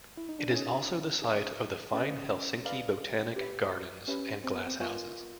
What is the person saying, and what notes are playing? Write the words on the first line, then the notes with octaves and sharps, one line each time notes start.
It is also the site of the fine Helsinki Botanic Gardens and glasshouses.
E4
D#4
D4
C#4 D#4 G#4 C#5 E5 G#5
D#4 G#4 C#5 E5 G#5
C#4 G#4 B4 D5 F5 A#5
G#4 B4 D5 F5 A#5
G4 B4 E5
C#4 G4 B4 E5
C4
B3
C4
B3 F4 A#4 D#5 G#5 C#6